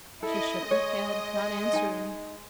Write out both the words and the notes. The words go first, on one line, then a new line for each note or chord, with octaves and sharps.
She shook her head, not answering.
E4 A4 D#5
G#3 C#5
D#4 G#5